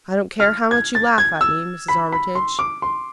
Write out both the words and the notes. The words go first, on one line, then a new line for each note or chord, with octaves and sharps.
"I don't care how much you laugh at me, Mrs. Armitage."
F6
G#6
A6
G#6
E6
B5
B5
C6
D6
C6